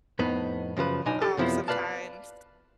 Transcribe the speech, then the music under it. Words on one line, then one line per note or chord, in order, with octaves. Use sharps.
um, sometimes
F2 A2 B3 D#4
F#2 C#3 F3 B4
B1 B2 D4 D#4 G#5
G4 A4
F#2 C3 F3 B3 E4
B4 D5 F5 A5